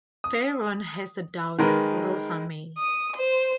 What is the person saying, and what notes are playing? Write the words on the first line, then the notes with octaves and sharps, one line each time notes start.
Fearon has a daughter, Rosa May.
D#6
D#3 G#3 A#4 B4
D#6
C5